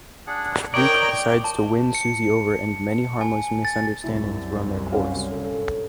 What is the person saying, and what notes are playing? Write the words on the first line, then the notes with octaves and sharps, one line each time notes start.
Duke decides to win Susie over and many harmless misunderstandings run their course.
D4 G#4 F#5
D#4 A#4 C#5 D5 G5
A5
C#7
G#5
A6
C2 F#2 E4
C#4 F5
G1 A#2 A3